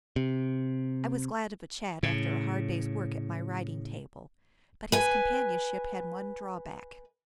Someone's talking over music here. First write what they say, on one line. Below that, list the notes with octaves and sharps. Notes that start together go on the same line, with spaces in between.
I was glad of a chat after a hard day's work at my writing-table, but his companionship had one drawback.
C3
A2 C#3
B4 G#5